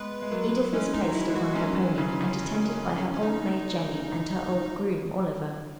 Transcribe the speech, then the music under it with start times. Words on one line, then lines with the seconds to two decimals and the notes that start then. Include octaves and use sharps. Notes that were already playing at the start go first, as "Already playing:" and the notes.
Edith was placed upon her pony and attended by her old maid Jenny and her old groom Oliver.
Already playing: G#3 B3 B4
0.22 G#3
0.31 F#3 A#3
0.72 E3 G#3 C#4
0.93 G#3 D#4
1.01 D#3 F#3
1.14 E4
1.28 E3 G#3
1.35 F#4
1.47 G#3
1.55 D#3 F#3 C#4
1.98 C#3 E3
3.14 C#4
3.23 D#4